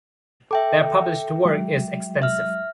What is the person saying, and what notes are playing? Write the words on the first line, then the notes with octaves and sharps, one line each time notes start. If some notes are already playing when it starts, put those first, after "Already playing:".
Their published work is extensive.
A4 E5 G5 D6
F#3 G#3
E5 F6